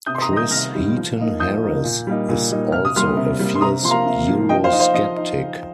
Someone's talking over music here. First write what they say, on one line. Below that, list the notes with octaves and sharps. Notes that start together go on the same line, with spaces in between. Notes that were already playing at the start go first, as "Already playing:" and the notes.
Chris Heaton-Harris is also a fierce eurosceptic.
C3 D#6 G6
C6
A#5 D#6
D#3 G3 D#4 A#6
D#6 G6
C3 F6 A#6
D#3 G3 D#4
F3
A#3 D#4
F3 D#6 G6
A#3 D#4
A#2
G3 A#3 D#4
A#2
G3 A#3 D#4
C3 F6
D#6
G3 A#3 C6 F6
C3
G3 A#3
C6
C3 A#5 D#6
F3 A#3 F5 A#5 C6
C3
F3 A#3
F3 D#5 G5
C5 F5
D#4
C5 F5
F3 D#5
D#4